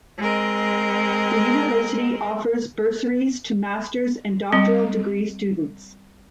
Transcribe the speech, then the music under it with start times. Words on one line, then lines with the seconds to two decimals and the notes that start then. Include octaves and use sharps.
The university offers bursaries to master's and doctoral degree students.
0.19 G#3 C4 A#4 D#5
4.52 G3 C4